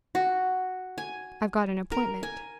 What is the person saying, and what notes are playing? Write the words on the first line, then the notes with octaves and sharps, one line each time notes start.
I've got an appointment.'
F#4
G#5
A#4
G#5